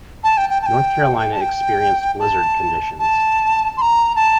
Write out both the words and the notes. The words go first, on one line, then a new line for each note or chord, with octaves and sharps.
North Carolina experienced blizzard conditions.
A5
G5
G5
A5
G5
A5
G5
A5
A5
C6
A#5
A5